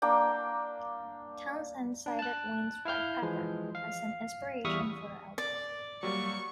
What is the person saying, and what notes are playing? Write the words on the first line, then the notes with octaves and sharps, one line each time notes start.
Townsend cited Ween's "White Pepper" as an inspiration for the album.
A#3 D4 A#4 G5
D4
A5 F#6
E4 F5 F6 G6
E3 F3 G#3
F5
E2 G3 E5 C#6 D#6 F6
D5
F#3 G3 A#3 C#6